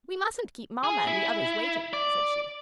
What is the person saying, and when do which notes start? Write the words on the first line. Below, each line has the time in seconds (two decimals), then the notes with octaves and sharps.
"We mustn't keep mamma and the others waiting," said she.
0.84 G#4
1.07 E4
1.93 D5